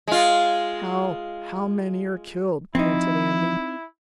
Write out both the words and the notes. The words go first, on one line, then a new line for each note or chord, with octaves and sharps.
"How--how many are killed?" panted Andy.
G#3 F4
F3 C4 D#4 E4